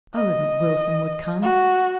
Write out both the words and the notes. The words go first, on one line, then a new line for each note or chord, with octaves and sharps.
Oh, that Wilson would come!
D#5
F#4